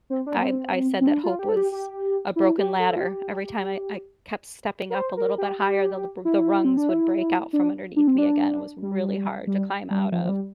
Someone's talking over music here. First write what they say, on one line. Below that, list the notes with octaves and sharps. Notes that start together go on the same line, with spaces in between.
I I said that hope was a broken ladder; every time I I kept stepping up a little bit higher, the l b the rungs would break out from underneath me again; it was really hard to climb out of.
C4
D4
A#3
C4
C4
D4
F4
G4
A4
G4
G4
E4
G4
A4
F4
G4
A#4
C5
A#4
G4
G4
E4
C4
D4
E4
D4
D4
C4
D4
G3
G3
G3
F3
F3
G3